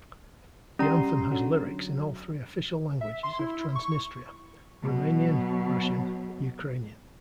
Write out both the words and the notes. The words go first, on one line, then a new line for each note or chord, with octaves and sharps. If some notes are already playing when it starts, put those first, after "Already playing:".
The anthem has lyrics in all three official languages of Transnistria: Romanian, Russian, Ukrainian.
G3 C#4 A#5 C6
D3 F#3
E5
C6
E4
C#6
B2 F#3